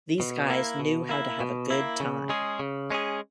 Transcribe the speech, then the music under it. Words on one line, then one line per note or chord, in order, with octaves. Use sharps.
These guys knew how to have a good time!
B2
A#3 E4
B2
A#3 E4
B2
A#3 E4
C#3
G#3 C#4 G#4
C#3
G#3 C#4 G#4